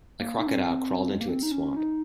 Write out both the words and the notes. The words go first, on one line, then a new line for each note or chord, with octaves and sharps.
The Crocodile crawled into its swamp.
A#3
D#4
C#4
C4
G#3
A#3
C4
D#4
C#4
D#4